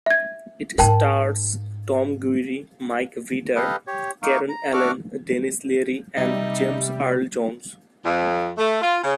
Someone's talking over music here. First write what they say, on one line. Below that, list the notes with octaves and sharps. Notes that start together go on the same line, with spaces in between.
It stars Tom Guiry, Mike Vitar, Karen Allen, Denis Leary and James Earl Jones.
E5 G#6
G#2 D#4 A#4 G5 A5
G4 A4 B4 D#5 F5
G4 C#5
A#3 D#4 F5 C#6
A#5
D4 F#4 E5 C#6 D6 F6
C3 G3 D#4 E5
F2
A3
F4
C#3